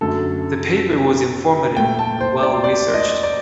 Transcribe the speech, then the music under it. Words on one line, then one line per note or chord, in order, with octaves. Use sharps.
The paper was informative and well researched.
F#2 D3 A3 A4
A#2 A3 G5
A5
C5
D5
D5
D#5
D5